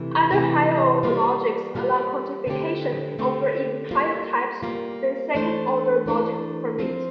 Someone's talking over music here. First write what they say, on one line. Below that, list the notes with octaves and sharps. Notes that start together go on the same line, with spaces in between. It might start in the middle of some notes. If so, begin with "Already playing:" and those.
Other higher-order logics allow quantification over even higher types than second-order logic permits.
Already playing: C3 E3 A3 E4
C3 E3 A3 E4
G3 A#3 F4
G3 A#3 F4
D3 A3 C4 G4
D3 A3 C4 G4
G3 A#3 F4
G3 A#3 F4
E3 A3 D4 A4 C5
E3 A3 D4 A4 C5
F3 C4 F4 C5